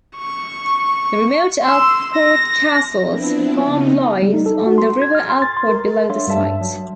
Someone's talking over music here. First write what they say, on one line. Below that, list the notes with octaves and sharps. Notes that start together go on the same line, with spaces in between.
The remote Alport Castles Farm lies on the River Alport below the site.
C#6
C6 E6
A#6
F3 B3 C4 D4 E4
C#3 B3 D#4
G3
D#4
A4
F#4
C6
G#6
F6
C6
A6
C6
A#4
D4 A4 C#5 E5 F5 C6
G2 G3 E5 A5
F#3